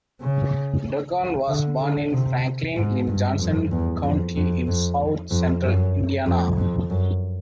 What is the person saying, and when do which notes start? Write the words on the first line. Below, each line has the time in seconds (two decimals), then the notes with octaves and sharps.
Duggan was born in Franklin in Johnson County in south central Indiana.
0.21 C#3
1.48 D3
1.80 D3
2.12 C3
2.76 G#2
3.08 G2
3.39 F2
3.72 E2
4.03 F2
4.36 F2
4.67 F2
5.31 F2
5.62 F#2
6.26 F2
6.58 F2
6.90 F#2